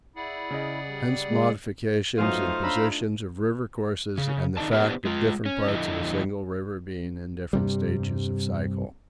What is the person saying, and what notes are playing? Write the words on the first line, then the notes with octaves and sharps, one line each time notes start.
Hence modification in positions of river courses and the fact of different parts of a single river being in different stages of cycle.
E4 G#4 D5 F#5
C#3 D#5
G3
G#3
F#2 A3 B3 D#4 F4 C5 F5 D#7
D4 C#5 A#5 B5 E6
C#3
D#3 D#4 G#4 D5 D#5 A5
B3 D4 E4 G4 B4 C5
G#3 F4
C#4
F2 D3 E4 D#5
G2 C3 G3